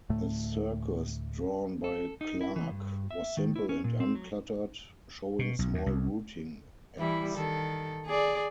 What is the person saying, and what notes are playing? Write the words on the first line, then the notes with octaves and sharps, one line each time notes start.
The circus drawn by Clarke was simple and uncluttered, showing small routine acts.
D2 A2 A3
A4
D#4
E4
E3
G2
E5
D#3
E4
C#4
A#2
C4
F#3
B2
B1
D#2
C2
E3 G3 E4
D#3 A4
G#4 D5